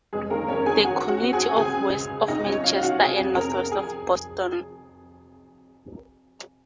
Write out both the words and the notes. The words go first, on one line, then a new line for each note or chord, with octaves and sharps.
The community is west of Manchester and northwest of Boston.
F1 G#3 G#4
D#3 A#3 A#4
F1 C#4 C#5
D#3 G#4 G#5
F#2 F#4 F#5
F#2
F#4 F#5
C4
G#4 G#5
F#2
C#2 G#4 G#5
C#3
C#2
C#2
C2 D#4 D#5
F#3 C#4 C#5
C#4 F4 F5
C#4 F#4 F#5
C3 G#4 G#5
F2
F2 A#4 A#5
F2
G#4 G#5